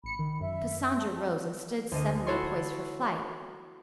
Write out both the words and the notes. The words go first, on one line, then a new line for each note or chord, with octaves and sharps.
Cassandra rose and stood suddenly poised for flight.
A1 B5 C#7
D#3
F#2 E5
A5
D2 D4 D#5
E4 F#4 A4 C#5 C6 C#6